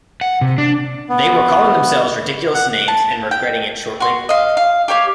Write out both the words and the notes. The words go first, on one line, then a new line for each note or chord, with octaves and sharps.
They were calling themselves ridiculous names and regretting it shortly.
F#5
C3
D4
B3
F#5
A5
G5
F#4 C6
D#5 F5
F5
G4 A4 C#5 F5